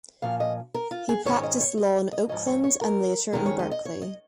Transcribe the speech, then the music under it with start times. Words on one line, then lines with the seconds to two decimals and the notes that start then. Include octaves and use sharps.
He practiced law in Oakland and later in Berkeley.
0.22 A#2 F3 C#4 F5
0.40 D#5
0.74 A#4
0.91 F4
1.09 G#4
1.25 G#2 D#3 G#3 C#4 C#5
1.43 D#5
1.61 C#5
1.77 D#5
2.12 D#5
2.29 G#2 F3 C#4 D#5
2.47 C#5
2.64 C#5
2.81 A#4
3.33 F2 D#3 G#3 C#4 A#4
3.46 C#5
3.59 D#5
3.71 D#5
3.85 C#5
4.02 D#5